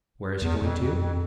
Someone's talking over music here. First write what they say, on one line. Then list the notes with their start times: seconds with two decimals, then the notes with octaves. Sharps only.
Where is he going to?
0.42 E2
0.62 F2
0.80 F2
0.99 F2